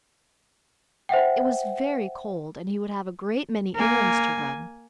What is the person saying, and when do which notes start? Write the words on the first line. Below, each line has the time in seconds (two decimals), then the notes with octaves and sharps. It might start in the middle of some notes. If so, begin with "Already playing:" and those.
It was very cold, and he would have a great many errands to run.
1.09 C5 E5 F#5 G5
3.75 A#3 G#5